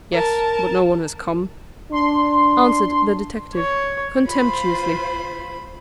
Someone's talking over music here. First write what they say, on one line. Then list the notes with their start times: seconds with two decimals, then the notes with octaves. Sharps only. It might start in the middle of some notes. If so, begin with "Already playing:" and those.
"Yes, but no one has come," answered the detective, contemptuously.
0.12 A#4 A5
1.92 D4 C6
3.56 C#5
4.28 F4 C5 B5